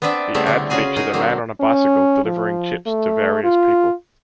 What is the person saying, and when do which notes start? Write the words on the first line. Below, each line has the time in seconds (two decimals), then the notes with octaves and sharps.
The ad featured a man on a bicycle delivering chips to various people.
0.02 B3 C4 D4 B4 D5 E5
0.34 C#3 G3 A3 B3 C4 E4
0.46 D3 D4
0.70 C#3 C#4 F4 F#4 G#4 G#5
0.96 D#4 F#4 G#4 A#4
1.13 D3 F#3 A3 A#3 C4
1.60 C#4
2.25 F3
2.87 A3
3.44 F4